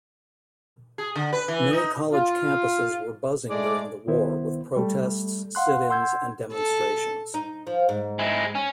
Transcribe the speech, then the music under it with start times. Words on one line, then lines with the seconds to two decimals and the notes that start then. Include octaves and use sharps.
Many college campuses were buzzing during the war with protests, sit-ins, and demonstrations.
0.98 G#4
1.16 D3
1.33 B4
1.48 E3
1.73 D#4
2.13 F4
3.50 G#3 A3 D5
4.07 C2 D#3 B3 E4 C5
4.76 G3 A3 A4
5.55 F5 F#5 C6 F#6
5.90 F#5 C6 E6 G6 G#6
6.53 A4
7.34 D#4
7.67 F3
7.89 G#2
8.19 G#3 E4
8.55 C#4